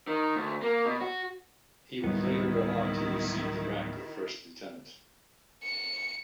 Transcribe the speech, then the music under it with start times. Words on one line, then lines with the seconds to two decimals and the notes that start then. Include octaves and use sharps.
He would later go on to receive the rank of first lieutenant.
0.07 D#3
0.36 D2
0.62 A#3
0.86 B2
1.01 F#4
2.04 D1 D#3 G3 B3 E4
5.63 C#7